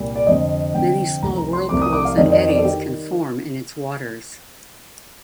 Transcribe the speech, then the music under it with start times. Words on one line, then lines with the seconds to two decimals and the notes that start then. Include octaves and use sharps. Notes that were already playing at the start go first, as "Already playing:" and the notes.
Many small whirlpools and eddies can form in its waters.
Already playing: C2 A#2 G3
0.15 D5
0.26 G1 F2 C3 D#5
0.74 G1 F2 C3 G5
1.22 C2 C3 F3 A3 A#5
1.38 A#5
1.53 C6
1.69 C2 C3 F3 A3 D6
1.81 D#6
1.93 D6
2.05 F5
2.17 F2 D#3 G3 D#5
2.32 D#5
2.49 D5
2.58 A4
2.65 D#3 G3 G4